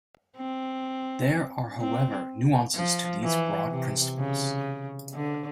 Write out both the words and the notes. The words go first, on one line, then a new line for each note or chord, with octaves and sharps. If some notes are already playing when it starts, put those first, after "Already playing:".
There are however nuances to these broad principles.
C4
C4
F3
E3
C3
C#3
D3